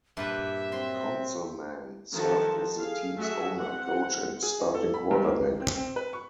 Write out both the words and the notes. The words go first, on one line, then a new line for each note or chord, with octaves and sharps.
Conzelman served as the team's owner, coach, and starting quarterback.
G2 A#2 B4 E5
F#3 C4 C6
D#3 F3 F#4 A4 A5
G#4 F5
A3 F#4 G#4 E5
C4 F#5
G#4
D#4
A4
B5
G2
A#3
D#3
C4
C4
B4
C#6